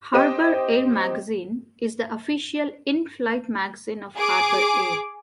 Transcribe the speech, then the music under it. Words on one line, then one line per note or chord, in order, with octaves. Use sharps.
"Harbour Air Magazine" is the official in-flight magazine of Harbour Air.
C4 G4 D#5 G5 D#7
G#4 D6